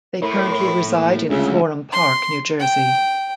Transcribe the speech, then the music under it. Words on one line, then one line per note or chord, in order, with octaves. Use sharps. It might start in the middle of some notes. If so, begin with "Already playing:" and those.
They currently reside in Florham Park, New Jersey.
A2 E4 A#4 C#5 C6
A#3
D2 C#3 G#3 F4 E5
C6
G5